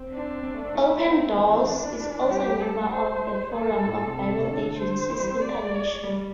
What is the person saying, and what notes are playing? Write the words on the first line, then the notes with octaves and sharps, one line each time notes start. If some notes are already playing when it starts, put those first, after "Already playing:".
Open Doors is also a member of the Forum of Bible Agencies International.
Already playing: C4
D4
C4
A3
C4
A3 E4
C4
E3
E3
E3 D4
G3 G4
A4
C5
A3 A4
G3
A2
A2
C3
A4
C3
D3
C5
E3
G3
C4
D5
G3